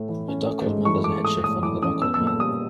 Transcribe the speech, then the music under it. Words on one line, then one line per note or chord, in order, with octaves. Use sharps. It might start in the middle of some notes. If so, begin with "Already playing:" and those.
A dark colored man does a head shave for another dark colored man.
Already playing: A2 A3
E3
C#4
A3
G#2
E3 C#6
G#2 D6
A3 D#6
A2 D#6
E3 D6
C#4 D#6
B3 E6
E6
A#2
E6
G3 D#6